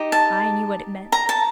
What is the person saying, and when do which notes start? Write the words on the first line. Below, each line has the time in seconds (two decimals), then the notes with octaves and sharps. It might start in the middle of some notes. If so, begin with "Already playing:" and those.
I knew what it meant.
Already playing: D#4 G4 D#5
0.12 A5
1.12 A#5
1.29 A5